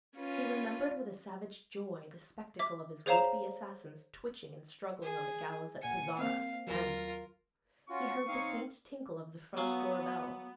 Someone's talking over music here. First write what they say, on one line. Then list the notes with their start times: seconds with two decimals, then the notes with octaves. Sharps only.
He remembered with a savage joy the spectacle of his would-be assassins twitching and struggling on the gallows at Pezara and--he heard the faint tinkle of the front door bell.
0.17 C#4 F4 B4
2.59 E5 D6
3.06 G#4 C5 C#5 F5 A#5 E7
5.02 G#4
5.82 A#2 F#5 G#5 C#7
6.18 A#3 C4 F5
6.67 D#2 F#3 F4 A#4
7.90 C#4 F4 F#4 C#6
8.28 C4 D#4 C#5 F5
9.57 F#3 B3 F5 G#5